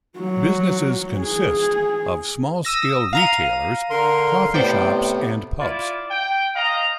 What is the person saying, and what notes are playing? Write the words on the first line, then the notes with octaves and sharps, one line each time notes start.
Businesses consist of small-scale retailers, coffee shops, and pubs.
F#3
G#4
D#6 E6 A#6
F5 A#5 D#7
D3 A#4 C6
A2 C3 B3 C5 D5 G5
E4 F4 D5
G5
D#5 F5 A#5